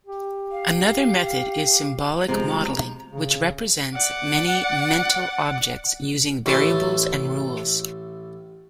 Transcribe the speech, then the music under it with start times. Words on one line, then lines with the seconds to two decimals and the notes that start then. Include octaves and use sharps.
Another method is symbolic modeling, which represents many mental objects using variables and rules.
0.06 G4
0.51 F5
2.28 D2 C3 F3 G#3 A#5
3.11 C#3
3.94 D5 F#5
6.46 A1 A3 B4 A5 C6